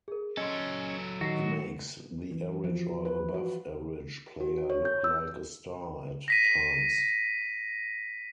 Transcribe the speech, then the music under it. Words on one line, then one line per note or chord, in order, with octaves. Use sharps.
He makes the average or above average player look like a star at times.
G#4 A#4
F#3 C#4 A4 D#5 C6
D#3 D#4 F#4 A#6 C7
E3
F3
F#4
B4
F#4
F#4
C#5
G6
E6
A#6 B6 D#7